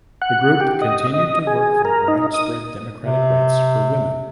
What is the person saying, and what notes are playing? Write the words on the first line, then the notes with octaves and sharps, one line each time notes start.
The group continued to work for widespread democratic rights for women.
F#5
G4
D#5
D#5
G#4
A#4
D#4
D#6
C3